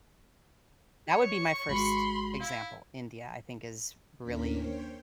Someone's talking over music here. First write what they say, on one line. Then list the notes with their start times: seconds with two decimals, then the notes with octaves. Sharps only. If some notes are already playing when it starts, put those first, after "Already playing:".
That would be my first example. India, I think is really
1.09 C#5 C#6
1.69 G#1 G#3 F#4 B5 C6
2.41 E4 F5
4.22 D#2 A#3 C#4 D4 A#4 B6
4.51 C5 C#5 G5